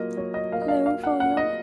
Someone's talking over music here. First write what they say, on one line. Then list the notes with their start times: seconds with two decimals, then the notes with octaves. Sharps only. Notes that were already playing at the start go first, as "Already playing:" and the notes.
Low volume.
Already playing: F#3 A#3 F4 A#4 D#5
0.17 F#3 C#5
0.34 D#5
0.52 A#3 F4 A#4 F5
0.62 D#5
0.68 F5
0.86 F#3 F5
1.04 F#5
1.20 A#3 F4 A#4 F#5
1.37 D#5